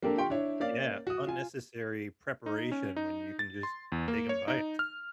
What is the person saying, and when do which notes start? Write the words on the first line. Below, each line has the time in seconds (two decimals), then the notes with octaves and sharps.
Yeah, unnecessary preparation when you can just take a bite.
0.03 A#3 C4 D4 G4 A4 A#4
0.17 F4 G4 G5 C6 C#6
0.30 D4 E4 C#5
0.60 A#3 C#4 D5 F5 A6
1.07 F#4 D#6
1.27 F4 G#5
2.46 D#4
2.72 C#4
2.96 D#4
3.39 A6
3.63 C6
3.92 E2
4.08 A#3
4.29 C#5
4.48 D#4
4.79 F6